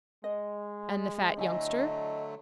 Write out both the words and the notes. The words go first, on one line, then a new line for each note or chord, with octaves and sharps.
"And the fat youngster?"
G#3 D#5
D3 F#3 A3 D4 E4 D#5 G#5